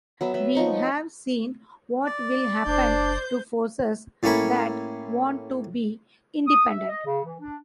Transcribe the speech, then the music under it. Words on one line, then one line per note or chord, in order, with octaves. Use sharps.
We have seen what will happen to forces that want to be independent.
F#3 B3 E5
B3 E5
F3 D#4 C#6
D5
F#1 D4 C5 G6
A2 A#3 C#4 B5 C#6
D#6
E5
D#5
C#3
E3
D4